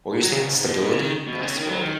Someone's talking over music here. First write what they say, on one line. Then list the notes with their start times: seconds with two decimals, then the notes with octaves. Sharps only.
What were you saying, stability? Not stability
0.22 F#3
0.32 D#3
0.42 C#3
0.48 B2
0.52 G#2
0.67 B2
0.82 B2
0.92 C#3
1.01 D#3
1.27 B2
1.41 C#3
1.56 D#3
1.69 F#3
1.82 D#3